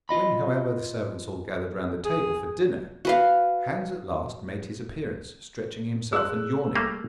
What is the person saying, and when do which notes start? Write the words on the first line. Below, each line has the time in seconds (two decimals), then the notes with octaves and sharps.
When, however, the servants all gathered round the table for dinner, Hans at last made his appearance stretching himself and yawning.
0.09 F4 D#5 B5
2.05 G#4
3.05 F#4 B4 F5
6.13 G#4 E6 F#6
6.75 G3 A3 A#3